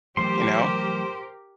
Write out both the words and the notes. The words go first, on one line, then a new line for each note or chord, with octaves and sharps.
you know?
E3 F#3 A3 G4 A#4 C5 C6